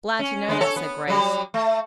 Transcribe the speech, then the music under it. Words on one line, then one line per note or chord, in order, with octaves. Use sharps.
"Glad to know that," said Grace.
C#4
D3 G#3 B3
A4 C#5
B3
F#3 G3
A3